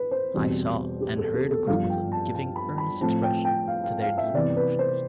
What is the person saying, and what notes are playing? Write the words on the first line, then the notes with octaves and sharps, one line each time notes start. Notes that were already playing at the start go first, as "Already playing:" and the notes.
I saw and heard a group of them giving earnest expression to their deep emotions.
Already playing: B4
C5
E2 B2 G3 C4
G4
A4
G4
A4
G2 F3 B3 F5
G5
A5
A5
B5
B5
A2 F3 C4 A5
G5
G5
F5
F5
F5
E5
C3 E3 B3 D5
B4
C5